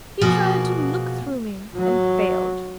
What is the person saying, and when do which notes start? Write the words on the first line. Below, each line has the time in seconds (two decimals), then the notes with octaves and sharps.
He tried to look through me, and failed.
0.21 B2 F3 A#3 F#4 G#4
1.74 F#3